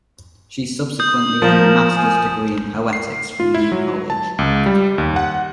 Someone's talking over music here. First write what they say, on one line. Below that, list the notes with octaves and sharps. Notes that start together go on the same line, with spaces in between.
She subsequently earned a master's degree in Poetics from New College.
D#6 G6
F3 A#4
G#5
C7
F4
E4
F#3
A5
C#2
G3
D#2
F#5